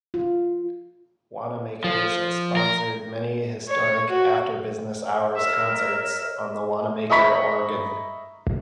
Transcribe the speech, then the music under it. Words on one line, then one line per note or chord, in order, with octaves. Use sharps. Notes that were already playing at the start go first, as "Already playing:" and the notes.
Wanamaker's sponsored many historic after-business-hours concerts on the Wanamaker Organ.
F4
F3
A#4
C#5
F#4
A#4 C#5 D#5 E5
D#5 E5 A#5 B5 C#6 B6